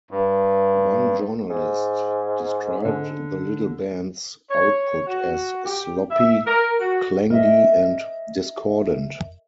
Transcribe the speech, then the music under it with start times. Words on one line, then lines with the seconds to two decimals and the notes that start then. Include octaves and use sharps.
One journalist described the little bands' output as sloppy, clangy and discordant.
0.11 G2
1.49 G#2
2.85 D3
4.49 C#5
5.07 F#4
5.65 G4
6.10 E5
6.46 A#4
6.80 F#4
7.30 A#4 D#5 E5